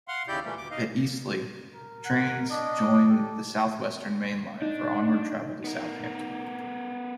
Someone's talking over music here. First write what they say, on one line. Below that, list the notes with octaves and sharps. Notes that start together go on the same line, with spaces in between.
At Eastleigh, trains join the South Western Main Line for onward travel to Southampton.
F5 F#5 C6
D#2 C#3 E4 G4 D5 G6
A#2 E3 G3 A3 A#3
D2 D6
D#4 D#5 F5
A#4
F#5
D4 D#5
G4 A4
D4 D#4
B3 A#4